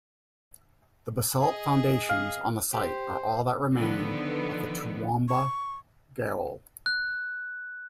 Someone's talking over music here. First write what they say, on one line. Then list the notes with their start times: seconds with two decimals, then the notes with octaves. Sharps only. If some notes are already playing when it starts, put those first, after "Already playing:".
The basalt foundations on the site, are all that remain of the Toowoomba Gaol.
1.40 G#4 D#5
2.09 F5
2.73 G4 C5
3.75 D3 D#3 F3 B3
5.29 C#6
6.86 F#6